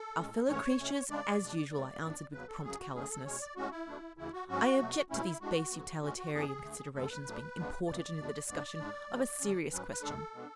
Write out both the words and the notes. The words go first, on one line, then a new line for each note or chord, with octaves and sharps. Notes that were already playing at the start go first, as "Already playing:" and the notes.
'Our fellow-creatures, as usual,' I answered, with prompt callousness. 'I object to these base utilitarian considerations being imported into the discussion of a serious question.
Already playing: A4
A2 G#3 C#4
G#2 E3 A3 C#4 C#5
B2 A3 C#4
C#3 G#3 D4 D5
B2 G#3 D4
E2 C#3 E3 G#3 D5
G#2 E3 B3 D4
E2 C#3 F#3 B4
A4
F#2 C#3 F#3 G#4
F#4
F#2 D3 F#3 A3 C#4 G#4
A4
B2 G#3 C#4 C#5
D5
A2 G#3 C#4 F#4
E4
B2 A3 D4
D2 C#3 E3 E4
F#4
G#2 F#3 C#4 F#4
B2 F#3 A3
B2 A3 C#4 E4
A2 G#3 D4 F#4
D2 D3 F#3 B3
A2 G#3 C#4 F#4
F#4
F#2 E3 B3 D4 G#4
D2 D3 A3
F#2 D3 G#3 B3 A4
B4
A2 F#3 A3 D4
D2 C#3 G#3 B3 D4
E2 C#3 E3 D5
E2 B2 G#3 D4
G#2 G#3 B3 D4 D5
G#2 G#3 D4
C#3 F#3 A3
D2 D3 F#3 C#4
G#2 F#3 C#4 B4
B4
F#2 D3 G#3 D4 A4
B2 G#3 B3 D4